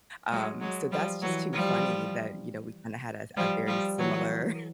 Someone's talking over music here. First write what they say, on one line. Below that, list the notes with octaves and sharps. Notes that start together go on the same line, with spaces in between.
Um, so that's just too funny that, you know, we kinda had a a very similar
F#3 G#3
F#3 G#3
F3 G3
E3 F#3
F3 G3
F3 G3
F3 G3
E3 F#3